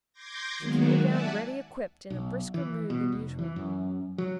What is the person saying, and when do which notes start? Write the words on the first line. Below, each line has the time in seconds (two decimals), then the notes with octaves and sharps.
She came down ready equipped, in a brisker mood than usual.
0.13 C6 D6 G6 G#6 A#6
0.58 D#3 F#3 G#3 A#3 B3 F#4
1.02 D5 E5 F#5 G#5 A5
2.10 B1
2.54 E3
2.90 B2
3.12 F1
3.39 E3
3.56 F#2
4.18 F#3